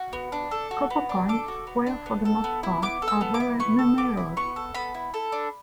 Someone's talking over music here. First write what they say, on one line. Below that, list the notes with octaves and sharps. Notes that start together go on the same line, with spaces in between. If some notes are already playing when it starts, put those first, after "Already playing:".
Copper coins, square for the most part, are very numerous.
Already playing: F#4
B3
D4
A4
F#4
B3
D4
A4 D6
F#4
B3
D4
B3
A4
B3
E4
B3 D6
A4
E6
B3
D6
E4
B3 C#6
A4
B3 D6
E4
B3 C#6
A4
B3 B5
E4
A4
D4